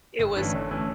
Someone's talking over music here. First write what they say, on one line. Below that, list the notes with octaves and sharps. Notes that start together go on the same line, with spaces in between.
It was
G1
G2 E3 A3 C#4
G1
E3 A3 C#4